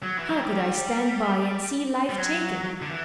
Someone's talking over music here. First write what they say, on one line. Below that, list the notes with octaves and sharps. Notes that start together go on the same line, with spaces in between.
How could I stand by and see life taken?
F#3
E3
F#3
G3
G3
F#3
D3
E3